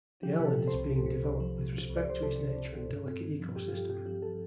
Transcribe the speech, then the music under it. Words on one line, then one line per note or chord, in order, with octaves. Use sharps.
The island is being developed with respect to its nature and delicate ecosystem.
F3 G4
C3
A4
F3
C5
C2
C3
C3
C2
F3
C2
F3
C2
D5
C2 C5
C3 A4
C3
C2
C3
G2
C4
G2
F3
G2 G4
F4
F3 G4
G2 G4
F3 G4
F3 A4